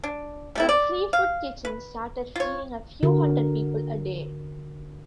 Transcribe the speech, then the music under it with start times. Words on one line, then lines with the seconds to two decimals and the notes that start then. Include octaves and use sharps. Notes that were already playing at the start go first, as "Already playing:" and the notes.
The Free Food Kitchen started feeding a few hundred people a day.
0.04 D4
0.55 G3 A3 E4
0.69 D5
1.13 F5
1.65 B4
2.36 F4 C#5
3.03 D3 F#4 A#4